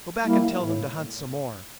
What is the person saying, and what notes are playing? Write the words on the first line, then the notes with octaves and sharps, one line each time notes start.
Go back and tell them to hunt some more.
G3 A#3 E4
A2